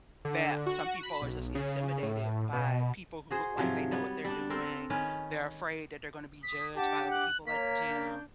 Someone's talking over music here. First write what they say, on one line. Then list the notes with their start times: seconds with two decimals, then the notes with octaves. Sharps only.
that some people are just intimidated by people who look like they know what they're doing, they're afraid that they're gonna be judged by other people at the gym
0.25 D3
0.66 F#4
1.03 B5
1.22 B1
1.55 C#3
2.03 A2
2.53 B2
3.31 F#4 G#4 C5
3.57 G#2 C3 F3 F#3
3.92 G3 B3 C#5
4.25 G3 D4
4.50 C4 A4 A#4 C5
4.90 D#3 C#4 B4
6.43 D#6 B6
6.76 D4 G4 F#5 A5 D6
7.11 F#6
7.47 A#3 C#5 A#5 B6
7.86 D4 G6